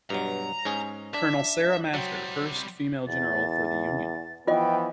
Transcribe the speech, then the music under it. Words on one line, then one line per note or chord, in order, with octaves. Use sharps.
Colonel Sarah Master - First female general for the union.
G2 B2 F#3 A#5
G#2 C#4 G#4
D4 E5
F#3 G3 C4 G5
E2 A6
E3 F3 B3 F4 D#5 G5